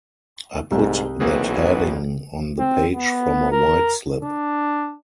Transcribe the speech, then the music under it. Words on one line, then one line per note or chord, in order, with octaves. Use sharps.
I put that heading on the page from a white slip.
C2 G#2 A3
B1 E3 A#3 C4 F#4 G#4 B4
C4
B3
A#4
D4